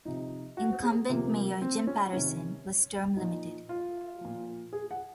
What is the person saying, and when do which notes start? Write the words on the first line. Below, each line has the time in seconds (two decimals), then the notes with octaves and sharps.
Incumbent mayor Jim Patterson was term limited.
0.05 C3 F3 D#4
0.57 F#4
0.83 G#4
1.09 C3 F3 A#3
1.62 C4
1.87 C#4
2.13 C3 D#3 C#4
3.17 A#2 F3 D#4
3.69 F4
4.21 A#2 F3
4.73 G#4
4.91 F#5